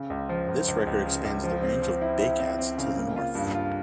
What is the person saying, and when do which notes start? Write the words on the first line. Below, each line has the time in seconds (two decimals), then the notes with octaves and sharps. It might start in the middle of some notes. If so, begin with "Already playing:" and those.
This record expands the range of bay cats to the north.
Already playing: C#3
0.10 C#2
0.29 F3
0.48 C#2
0.68 C#2
0.87 C#2
1.06 C#3
1.25 C#2
1.44 F3
1.63 C4
1.82 F3
2.02 E4
2.20 E4
2.40 C4
2.59 C4
2.78 C#3
2.97 A#3
3.16 F4
3.35 G2
3.54 F4